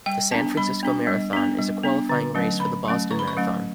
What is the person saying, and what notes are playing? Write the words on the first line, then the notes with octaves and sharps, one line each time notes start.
The San Francisco Marathon is a qualifying race for the Boston Marathon.
G3 G5
B3 D4 A5
G3 B5
B3 D4
G3
B3 D4
G3
B3 D4
D3
F#3 A3 C#4
D3 B5
F#3 A3 C#4
D3 C#6
B5
C#6
F#3 A3 C#4